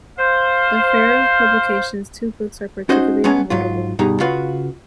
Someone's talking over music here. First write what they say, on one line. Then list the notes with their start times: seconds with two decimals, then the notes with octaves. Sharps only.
Of Ferrier's publications, two books are particularly notable.
0.19 C5 F5
2.89 C#4 D#4 F#4 C5 D#5
3.24 G#3 A3 B3 C#4 G#5 A#5
3.50 G#2 F#3 F4
3.99 G2 B2 G3 D#4 G#4 A#5
4.20 C#3 F4 F#4 B4